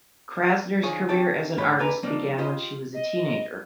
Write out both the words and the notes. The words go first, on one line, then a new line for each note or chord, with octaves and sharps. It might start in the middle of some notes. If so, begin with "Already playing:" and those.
Krasner's career as an artist began when she was a teenager.
D2 D#3 F3 G#4 C#5
C4 F#4 G4 C#5 G5 A5
G#2 G#3 A3 C#5 B5
D#2 G4 A4 B4 G#5 A#5
F3 G3 A#3 C4 D4 D#4
F4 G4 C5 D#5
D#5